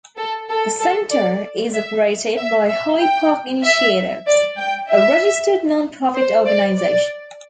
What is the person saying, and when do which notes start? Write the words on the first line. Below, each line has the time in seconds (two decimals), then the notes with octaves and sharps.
The Centre is operated by High Park Initiatives, a registered non-profit organization.
0.17 A4
0.49 A4
0.80 A4
1.11 D5
1.74 E5
2.37 E5
2.69 E5
3.00 G5
3.63 E5
4.27 D5
4.58 G5
4.89 E5
6.15 C5
6.47 D5
6.78 D5